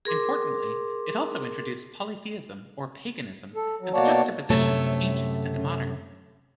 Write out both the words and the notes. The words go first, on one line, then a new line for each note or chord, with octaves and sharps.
Importantly it also introduced Polytheism, or "paganism", and the juxtaposition of ancient and modern.
G#4 A#4 C6 D6
A4
F#3
B2 A#3 F#4 C#5 D5 A5
F#2 C3 A3 C#5 A5